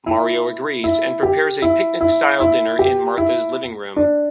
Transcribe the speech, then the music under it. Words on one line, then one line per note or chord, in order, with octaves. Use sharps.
Mario agrees, and prepares a picnic-style dinner in Martha's living room.
E4
E4
G4
E4
E4
E4
G4
E4
D4